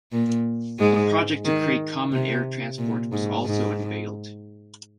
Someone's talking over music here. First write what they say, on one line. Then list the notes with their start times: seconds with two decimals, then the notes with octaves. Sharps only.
A project to create common air transport was also unveiled.
0.12 A#2 A#3
0.79 G#2 G#3
1.45 D#3
2.12 C3
2.78 A#2
3.12 G#2
3.46 G#2